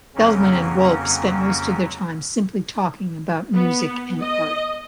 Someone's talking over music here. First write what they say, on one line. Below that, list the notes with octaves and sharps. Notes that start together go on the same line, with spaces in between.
Feldman and Wolpe spent most of their time simply talking about music and art.
F2 C#3 F#3 A#3 C4 C#4
B3
D#5